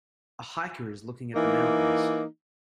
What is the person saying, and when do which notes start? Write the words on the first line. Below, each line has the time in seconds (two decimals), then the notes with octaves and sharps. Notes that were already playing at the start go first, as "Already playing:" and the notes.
A hiker is looking at the mountains.
1.35 E3 A#3 D#4